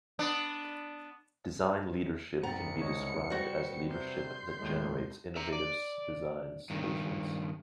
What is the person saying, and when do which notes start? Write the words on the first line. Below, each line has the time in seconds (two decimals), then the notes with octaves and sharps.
Design leadership can be described as leadership that generates innovative design solutions.
0.19 B3 D4
2.43 C2 F#2 B3 G5 A#5 A6 C#7
2.80 C#2 C#5 D#5
3.30 G3 F#4 B4 C5
3.88 C3 C6 G6
4.60 D#2 A2 G#3
5.36 E5 A#5
5.53 D5
6.70 G2 D#3